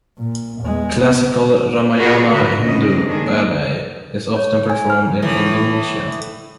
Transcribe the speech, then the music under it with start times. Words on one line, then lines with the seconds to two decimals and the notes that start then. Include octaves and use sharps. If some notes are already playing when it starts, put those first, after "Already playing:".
Classical Ramayana Hindu ballet is often performed in Indonesia.
0.18 A#2
0.61 E2 G#3
0.98 F1 B3
1.96 F4 F#4 G#4 A#4 B4
2.29 G#2 D3 A3 F#4 A#4 B4
2.64 F2 C#3 G#3 B3 C#4 D#5
3.05 D#3 A#3 D4 G#4
4.36 C#5
4.70 G#5
4.90 F6
5.22 A2 E3